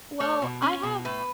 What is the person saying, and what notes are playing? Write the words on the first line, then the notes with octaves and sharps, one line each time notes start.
Well, I have
A3 C#5
B2
C#4
B2
A2 B4